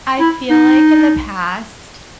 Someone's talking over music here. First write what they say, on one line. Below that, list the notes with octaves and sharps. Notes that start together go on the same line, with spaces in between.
I feel like in the past,
E4
D#4